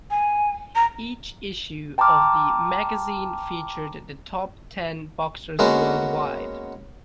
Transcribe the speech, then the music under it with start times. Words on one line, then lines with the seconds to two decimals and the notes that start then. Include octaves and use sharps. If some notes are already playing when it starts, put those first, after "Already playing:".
Each issue of the magazine featured the top ten boxers worldwide.
0.11 G#5
0.76 A#5
1.98 G5 A5 A#5 C6 D6 F6
5.59 G#3 A#3 B3 C#4 F#4